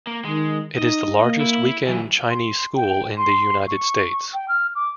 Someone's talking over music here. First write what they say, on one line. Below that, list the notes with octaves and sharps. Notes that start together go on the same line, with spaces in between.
It is the largest weekend Chinese school in the United States.
A#3
D#3 G#3
D#4 D#5
A#3
E4
D2 E3 F#3
C6
G5
C6
C#6
G5
F6
D6